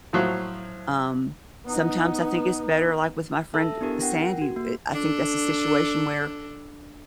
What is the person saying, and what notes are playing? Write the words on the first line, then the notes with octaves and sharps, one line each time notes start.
Um, sometimes I think it's better, like, with my friend Sandy, eh, I think that's a situation where
A2 F3 F#3 C5 F5
B3 D#4
A4 E5 A5 E6
B3 D4 E4 G4 A#4
A#4 F#5 G5 A#6
F#4
A#3
D4 A4